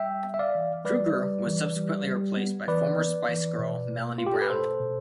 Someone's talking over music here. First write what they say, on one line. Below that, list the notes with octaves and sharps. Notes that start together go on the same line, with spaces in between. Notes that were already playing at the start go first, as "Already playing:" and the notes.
Kruger was subsequently replaced by former Spice Girl Melanie Brown.
Already playing: G3 E5 G5
B3
E5
D5 F5
E3
G3 B4 D5
G3
E3
G3
G3
B3
E3 B4 D5
B3
E3
B2
A3
A3 F4
G4
A4
B4
B2 A4 C5
B2